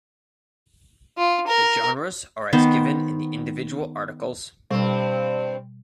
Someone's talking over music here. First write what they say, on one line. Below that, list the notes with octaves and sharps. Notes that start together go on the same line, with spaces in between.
The genres are as given in the individual articles.
F4
A#4
D#3 B3 C5
G2 B2 G3 C4